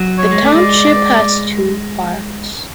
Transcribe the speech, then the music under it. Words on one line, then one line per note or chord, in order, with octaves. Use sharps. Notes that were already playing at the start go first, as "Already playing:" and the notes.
The township has two parks.
Already playing: F#3
C#5
G#3
A3 D5
G#3